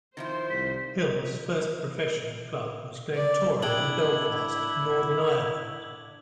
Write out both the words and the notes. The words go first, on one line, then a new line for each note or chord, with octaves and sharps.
Hill's first professional club was Glentoran in Belfast, Northern Ireland.
D#3 F3 E4 C5
C2 B6
D5
A2 D4 E4 G#4 G5 G#6 F#7